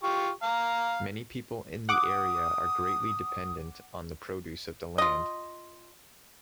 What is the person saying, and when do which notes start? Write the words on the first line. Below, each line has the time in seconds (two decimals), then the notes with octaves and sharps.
Many people in the area are greatly dependent on the produce of the land.
0.03 F4 G4 C#6
0.43 F5 A#5
1.89 F#5 D6 D#6
4.98 F4 D#5